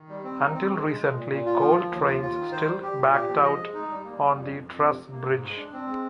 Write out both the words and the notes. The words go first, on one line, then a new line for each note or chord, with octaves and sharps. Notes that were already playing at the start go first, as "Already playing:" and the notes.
Until recently coal trains still backed out on the truss bridge.
Already playing: D#3
G3
C4
D#4
C4
G#3
G#3
G#3
A#2
A#2
F4
F3
F3
D#2
F4
F4
D#3
C5
G3
G4
A#2
G4
F3
D#5
G#3
D#4
G3
A#3
G3
F2
F2
F2
C3
C3
A#3
G#2
G#3
D4
C4
G#3